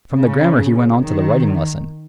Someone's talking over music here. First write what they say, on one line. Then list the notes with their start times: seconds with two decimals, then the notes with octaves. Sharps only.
From the grammar he went on to the writing lesson.
0.14 C#3
1.00 D#3